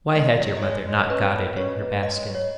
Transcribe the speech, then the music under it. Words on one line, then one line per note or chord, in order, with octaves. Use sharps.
Why had your mother not got it in her basket?'
G#3 D#5
G#3
F#3
F#3 D#5
G#3 C#5
G#3
C#4 B4
B3
C#4 C#5
A#3
G#3 D#5
G#3
F#3
C#5